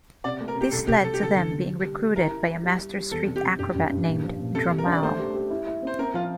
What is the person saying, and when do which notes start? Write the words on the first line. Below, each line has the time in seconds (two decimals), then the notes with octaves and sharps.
This led to them being recruited by a master street acrobat named Dromale.
0.24 C3 D5
0.41 A3
0.48 A#4
0.55 C3
0.61 G4
0.72 C2 A4
0.87 C2 G4
1.03 C2 A4
1.14 G4
1.20 D3 A4
1.36 D3
1.51 D3
1.68 G3
1.83 G3
2.00 G3
2.16 E4 A#4
2.32 E4
2.48 E4
2.63 G3
2.79 G3
2.96 G3
3.11 E2 A4
3.27 C3
3.36 G4
3.43 C3
3.59 G2 G4
3.75 G2
3.91 G2
4.07 A#2
4.23 F3
4.39 A#2
4.55 C3 A4
4.71 G3
4.78 A#4
4.86 D4
4.92 D5
5.03 A3 C5
5.19 G4
5.35 G4
5.50 E4
5.67 E4
5.82 C4 C5
5.99 C4 A#4
6.14 F3 F4